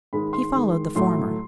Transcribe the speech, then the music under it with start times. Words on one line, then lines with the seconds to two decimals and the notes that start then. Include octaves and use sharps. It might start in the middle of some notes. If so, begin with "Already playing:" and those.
He followed the former.
0.13 G#2 D#3 G#3 B5
0.33 C6
0.54 G#2 D#3 G#3
0.95 A2 F#3 A3 C6